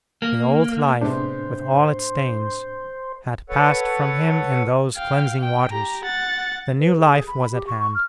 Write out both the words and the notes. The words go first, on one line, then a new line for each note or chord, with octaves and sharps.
The old life, with all its stains, had passed from him in those cleansing waters; the new life was at hand.
A#3
A2 C3 G#3 B3 D4 C5
A4 B4 C#5 F#5
F5 G5
G5
G4 A#5
F#5 A6
B4
G#4
B5
G4
C#6
C#6
F6